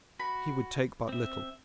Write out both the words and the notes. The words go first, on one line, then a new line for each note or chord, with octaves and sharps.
He would take but little.
F#4 B5
C4 E5